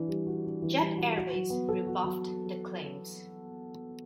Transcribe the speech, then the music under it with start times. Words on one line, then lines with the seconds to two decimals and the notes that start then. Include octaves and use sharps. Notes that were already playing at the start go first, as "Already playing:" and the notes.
Jet Airways rebuffed the claims.
Already playing: E3 D4
0.08 G3
0.27 F#4
0.45 D4
0.62 E3
0.80 G3
0.97 F#4
1.15 F#4
1.33 F#3
1.50 B3
1.69 A4
1.87 F#4
2.04 F#3